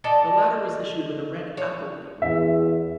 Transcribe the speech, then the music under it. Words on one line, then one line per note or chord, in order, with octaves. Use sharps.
The latter was issued with a red Apple label.
A4 D5 D#5
C#5
E2 E5